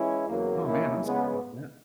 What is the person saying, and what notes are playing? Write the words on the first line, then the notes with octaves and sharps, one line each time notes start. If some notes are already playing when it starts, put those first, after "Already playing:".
Aw, man, I'm sorry 'bout that.
Already playing: E3 G#3 C#4 E4
E2 C#3 F#3 A#3
D#2 D#3 A#3 C#4 E4
C#3 G#3 B3